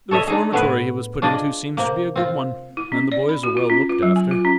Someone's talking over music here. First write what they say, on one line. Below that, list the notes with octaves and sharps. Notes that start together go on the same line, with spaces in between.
The reformatory he was put into seems to be a good one, and the boys are well looked after.
A4 C#5 D#5 E5
D4 D#4 G#4
A2 A3 B3 E4 G#4 B4
D4 F4 G#4 D5 D#5
C3 A#3
C4 F4
E4
C#4
D5
B5
F#4
F4
C#4
F4
F#3
G#5
F4
C#4